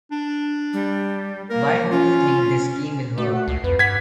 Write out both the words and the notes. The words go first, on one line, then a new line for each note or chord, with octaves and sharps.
Why don't you think this scheme will work?
D4
G3
A#3 A#4
C#4 F4
A3 F#4
F#5
C#2 C7
F2 B4
G2 F#5 G#6 B6